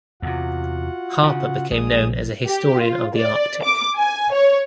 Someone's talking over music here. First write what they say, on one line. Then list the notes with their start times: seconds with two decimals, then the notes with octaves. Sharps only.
Harper became known as a historian of the Arctic.
0.22 E2 C3 F4 F#4 F#5
1.23 C#3
1.71 A#1 G#3 G#4 D#6
2.48 G4
2.81 F4
3.16 D5
3.63 D6
3.96 G#5
4.32 C#5